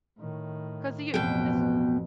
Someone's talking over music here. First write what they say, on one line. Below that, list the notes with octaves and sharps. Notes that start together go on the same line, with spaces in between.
'cause you this
A2 D#3
A1 F2 B2 G5